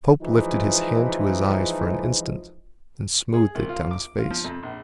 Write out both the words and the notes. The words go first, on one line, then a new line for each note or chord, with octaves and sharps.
The Pope lifted His hand to His eyes for an instant, then smoothed it down His face.
E3 F3 G#3 D#4
G#4
C2
F4
D6
F4
F3
F2
A#1